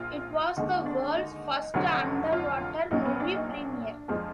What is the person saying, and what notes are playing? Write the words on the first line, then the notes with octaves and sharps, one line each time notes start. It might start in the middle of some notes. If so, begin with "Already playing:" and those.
It was the world's first underwater movie premiere.
Already playing: A#1 A#2 F4
D#2 D3 G#3 D#4
D4
D#4
F1 F2 D3 F#3
F4
A#1 A#2 F#3 D#4
B3
D4
D#4
D4
F2 F3 G#3